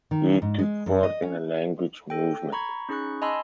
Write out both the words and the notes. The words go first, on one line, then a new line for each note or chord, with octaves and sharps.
He took part in the Language Movement.
D#3
G#2
G#3
F#2
D#5
C#4
A4 G5
A#5 B5 C#6 G#6
C#4 D#4 G#4 B5 C#6 F#6
D#5 G#5 A5 B5 C6 E6